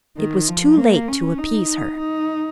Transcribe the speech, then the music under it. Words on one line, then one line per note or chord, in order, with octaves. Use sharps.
It was too late to appease her.
D#3
F3
A#3
C#4
D#4
D#4